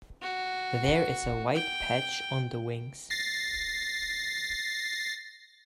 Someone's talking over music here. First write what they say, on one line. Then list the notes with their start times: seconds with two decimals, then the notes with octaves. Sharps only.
There is a white patch on the wings.
0.22 F#4
1.55 G5
3.10 A6 A#6 C7